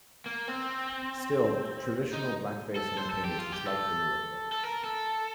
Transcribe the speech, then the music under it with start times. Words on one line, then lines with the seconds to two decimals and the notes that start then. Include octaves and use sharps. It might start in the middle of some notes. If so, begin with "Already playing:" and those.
Still, traditional blackface entertainers disliked the new approach.
0.26 A#3
0.48 C4
2.13 D#4
2.76 A4
2.97 C5
3.10 A4
3.24 G4
3.39 F4
3.52 G4
3.66 A4
4.52 A4
4.63 A#4
4.84 A4